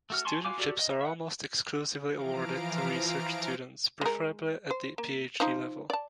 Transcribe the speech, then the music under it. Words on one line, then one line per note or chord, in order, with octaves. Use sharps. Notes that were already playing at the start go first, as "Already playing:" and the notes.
Studentships are almost exclusively awarded to research students, preferably at the Ph.D. level.
A3 F#4 F6
G#5 A5 C6 C#6
F4 F#4 F5 G#5 D6
F#4 G4 A4 D5
D#5
E5 F#5
E3 F3 F5 A#5 D7
G#3 A#4
C5
A#3
F3 D#4
D5 A5